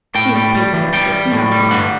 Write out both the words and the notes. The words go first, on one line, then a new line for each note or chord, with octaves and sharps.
He's paid me up till to-night.
A2 G5
G3
G3
E3
G3 G5
G3
A2
G3
G2 F#5